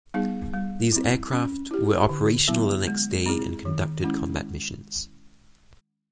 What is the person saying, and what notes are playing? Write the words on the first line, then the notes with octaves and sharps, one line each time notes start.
These aircraft were operational the next day and conducted combat missions.
G3 B3 D#4 G#4
G3
C4 E4
C#4
E4 G4
D3
F#3 B3 E4
G#3
C4 E4 G#4
D#3
G#3 C#4 E4